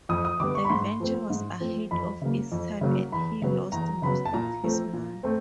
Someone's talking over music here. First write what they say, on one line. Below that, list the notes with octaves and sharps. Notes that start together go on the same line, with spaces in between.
The venture was ahead of its time and he lost most of his money.
F2 D#6
D#6
D3 G3 B3 D6
C#6
B5
G#2 C6
F3 A3 C4
G#2
F3 A3 C4
F2 B5
C#3 F#3 A#3
F2
C#3 F#3 A#3
E2 B5
C#3 F#3 B3
E2 A#5
C#3 F#3 B3 B5
A5
A#2 A#5
F3 A3 C4
A#2
A3 C4